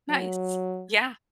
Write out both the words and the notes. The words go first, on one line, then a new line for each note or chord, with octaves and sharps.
Nice. Yeah.
F#3